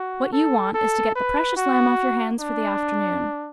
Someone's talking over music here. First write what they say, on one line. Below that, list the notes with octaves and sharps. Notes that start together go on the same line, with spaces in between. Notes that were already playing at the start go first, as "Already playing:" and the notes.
What you want is to get the precious Lamb off your hands for the afternoon.
Already playing: F#4
A4
A4
B4
F#4
D4